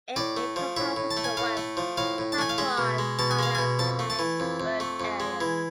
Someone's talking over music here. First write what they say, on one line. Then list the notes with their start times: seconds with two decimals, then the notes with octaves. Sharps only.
It encompasses the West Papuan highlands endemic bird area.
0.16 A2 D5
0.37 A3
0.56 F3
0.76 A2 E5
0.96 A2
1.11 A5
1.17 A3
1.24 G#5
1.37 A2 F5
1.57 A3
1.77 F3
1.97 A2 F5
2.18 A2
2.32 A5
2.38 A3 G#5
2.49 F5
2.58 G#3 E5
2.78 B2
2.98 G#3
3.19 B2 A5
3.31 G#5
3.39 G#3 F5
3.55 G#5
3.59 B2
3.79 F2 A5
3.99 A3
4.10 A5
4.19 E3
4.40 F2
4.60 F2
4.80 A3
5.00 F2
5.20 G#3
5.41 E3